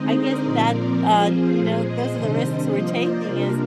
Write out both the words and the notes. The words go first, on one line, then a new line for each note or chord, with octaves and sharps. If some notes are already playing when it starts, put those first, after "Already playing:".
I guess that, uh, you know, those are the risks we're taking as
Already playing: D3 G#3 C4 D#4 C5 D#5
A#4 D5
A#2 F3 C4
A#4
F3 C4 F4 G#4 C5
A#2 F3 G#3
C5 D#5
C3 D#3 G3 D4
C5 D#5
F3 A#3 F4
A#4 D5
C3 G3 A#3 D4 F4 A#4